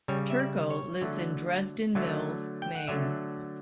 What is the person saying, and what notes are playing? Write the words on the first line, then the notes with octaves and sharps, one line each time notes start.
Turco lives in Dresden Mills, Maine.
C#3 G3 C#5
E5
D5
C#5
D3 F#3 A3
D3 F#3 A3
G5
F#5
D3 F#3 A3 E5